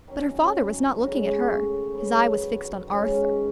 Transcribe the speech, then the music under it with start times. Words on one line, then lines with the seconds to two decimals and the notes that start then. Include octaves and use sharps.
But her father was not looking at her; his eye was fixed on Arthur.
0.08 D#3 F#3 C#4
1.00 A2 G#3 C#4 F#4
1.93 G#2 F#3 B3
2.87 D#3 G#3 C#4